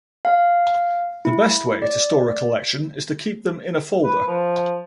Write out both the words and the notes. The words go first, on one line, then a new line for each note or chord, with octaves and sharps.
The best way to store a collection is to keep them in a folder.
F5
E4
D5
B4
F3